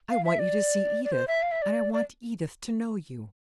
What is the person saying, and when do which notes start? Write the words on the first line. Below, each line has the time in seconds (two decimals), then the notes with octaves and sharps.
'I want you to see Edith; and I want Edith to know you.
0.10 F5
0.25 E5
0.39 D5
1.05 D5
1.12 C5
1.28 E5
1.42 F5
1.52 E5
1.62 D5
1.93 D5